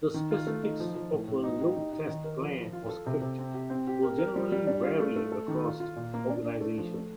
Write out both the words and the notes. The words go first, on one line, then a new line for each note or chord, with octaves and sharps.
The specifics of a load test plan or script will generally vary across organizations.
D#3
F4
A3
D#4
F3
F3
A2
A2
D#4
G4
D#4
D#4
D#3
A#4
F3
F3
F4
A4
C3
C3
C4
G4
C4
G4
A#4
A#4
G3
G3
D4
F4
A3
A3
A4
D#3
F4
F4
A#2
A#3
D4
D4
A3
F3
A3